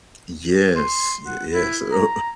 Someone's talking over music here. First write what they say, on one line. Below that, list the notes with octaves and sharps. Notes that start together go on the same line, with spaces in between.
Yes, y yes, a a uh,
C6
F#5
E4
A#5